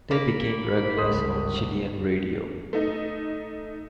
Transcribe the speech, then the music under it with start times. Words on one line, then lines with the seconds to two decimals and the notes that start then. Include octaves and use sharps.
They became regulars on Chilean radio.
0.11 A#3 B5
0.96 G1 C#2 D#5 C6 D#6
2.73 A3 D#4